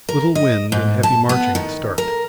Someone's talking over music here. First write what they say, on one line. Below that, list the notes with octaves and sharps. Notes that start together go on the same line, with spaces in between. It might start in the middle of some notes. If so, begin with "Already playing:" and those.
Little wind and heavy marching at start.
A#4
D#5
G#2
A5
B3
D#3
A#4